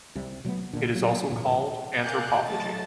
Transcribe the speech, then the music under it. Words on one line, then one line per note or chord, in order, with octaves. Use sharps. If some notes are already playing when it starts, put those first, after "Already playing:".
It is also called "anthropophagy".
C2 C3 G3
B2 F#3 A3 B3
A#1 A#2 D3 D4
F#3 A#3 B3
A1 D2 G2 A#2
A#4 F5 G#5 D6 F#6 G6
A1 F#3 A3 D#5 A5 A6